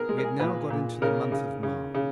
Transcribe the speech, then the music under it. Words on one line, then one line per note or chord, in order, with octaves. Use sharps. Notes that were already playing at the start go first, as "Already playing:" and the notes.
We had now got into the month of March.
Already playing: B3 G#4 A#4
G#3
A#4
G#4
A#2 B4
A#2
C#3 A#4
C#3
C#3
C#3